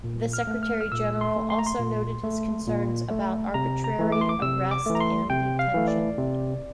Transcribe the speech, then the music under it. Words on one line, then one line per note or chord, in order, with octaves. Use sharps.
The Secretary-General also noted his concerns about arbitrary arrest and detention.
A#2
F6
A3
F6
F6
A#2 E6
C6
A3
C6
A#5
C6
A#2
A3
A#2
A3
C3 A#5
A#5
E3 A3
D6
C6
D6
C3 E6
D6
E3 A3
A#5
C6
C3 G5
F5
E3 A3
D5
C3